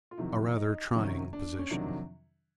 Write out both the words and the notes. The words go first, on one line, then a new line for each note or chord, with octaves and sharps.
A rather trying position.
F4
F2 C3 D#3 F#3 E4
D#4
F2 C3 D#3 F#3 C#4
D4
C#4
F2 C3 D#3 F#3 D4